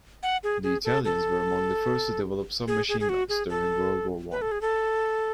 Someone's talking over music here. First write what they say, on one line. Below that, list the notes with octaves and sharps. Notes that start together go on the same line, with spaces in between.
The Italians were among the first to develop submachine guns during World War One.
F#5
G#4
G#4
A4
A4
G#4
G#4
G#4
F#4
G#4
A4
B4
A4
G#4
A4